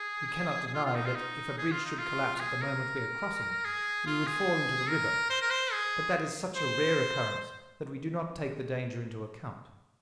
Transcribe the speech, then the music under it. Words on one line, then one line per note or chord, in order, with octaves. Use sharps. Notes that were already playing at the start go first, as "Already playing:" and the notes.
We cannot deny that if a bridge should collapse at the moment we are crossing it, we would fall into the river, but that is such a rare occurrence that we do not take the danger into account.
Already playing: G#4
G#4
F4
F4
D#4
F4
D#4
G#4
F4
D#4
F4
F4
G#4
A#4
G#4
F4
G#4
A#4
C5
A#4
C5
G#4
C5